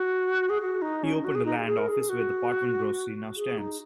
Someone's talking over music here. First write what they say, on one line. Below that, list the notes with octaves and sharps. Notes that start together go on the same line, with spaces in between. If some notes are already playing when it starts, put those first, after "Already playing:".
He opened a land office where the Potwin grocery now stands.
Already playing: F#4
G#4
F#4
D#4
C#4
D#4
F#4
G#4
D#4
G#4
A#4
G#4
F#4
G#4
D#4